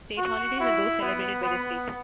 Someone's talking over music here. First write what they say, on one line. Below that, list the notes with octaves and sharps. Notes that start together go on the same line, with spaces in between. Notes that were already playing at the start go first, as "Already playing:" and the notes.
State holidays are those celebrated by the state.
F#4
E4
B3
B3